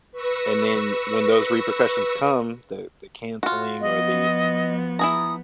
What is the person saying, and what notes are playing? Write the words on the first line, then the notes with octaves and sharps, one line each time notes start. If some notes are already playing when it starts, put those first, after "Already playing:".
And then, when those repercussions come the the canceling or the
B4 C#6 E6 A#6
F4 F#4
F3 B3 D#5
E4 G#4 A#5 D#6